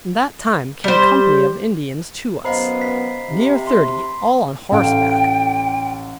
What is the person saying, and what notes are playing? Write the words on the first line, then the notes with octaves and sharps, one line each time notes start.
In that time came a company of Indians to us, near thirty, all on horseback.
G3 C5
F#2 B3 C5 D#5 F5 A#5 B5 C7
B6
C3
C6
A1 A4 F5 G5